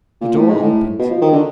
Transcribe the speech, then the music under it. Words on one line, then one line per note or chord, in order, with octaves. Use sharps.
The door opened.
A#2
A2
G#2
A2
B2
F3
D#3
D3